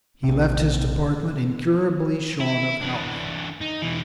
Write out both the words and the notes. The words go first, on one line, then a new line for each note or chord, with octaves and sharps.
He left his department incurably shorn of health.
A#1 C3
E4
E3 D4
D#4
B2 E3